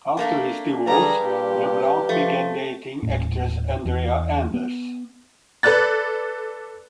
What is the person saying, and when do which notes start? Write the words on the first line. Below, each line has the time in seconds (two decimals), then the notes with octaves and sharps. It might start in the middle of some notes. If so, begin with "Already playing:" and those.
After his divorce, LeBlanc began dating actress Andrea Anders.
0.17 A3 A#3 D4
0.87 G2 D3 G3 G#4 A#5
1.23 A#2 G4
2.09 F3 A3
3.02 D#1 A2
3.85 E2
4.54 B3
5.63 A4 B4 D5 F#6 A6